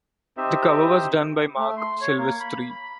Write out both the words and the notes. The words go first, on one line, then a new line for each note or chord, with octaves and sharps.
The cover was done by Marc Silvestri.
C4 D#4 G4 E5
A3
C6
C#5
A#3
B5
B5